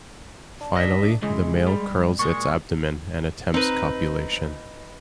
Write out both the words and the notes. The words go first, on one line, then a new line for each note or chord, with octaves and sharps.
Finally, the male curls its abdomen and attempts copulation.
D4
D#5 E5
C#3 E3 G#3
G3
A#2 G#3 C#6
C4 D#4 B4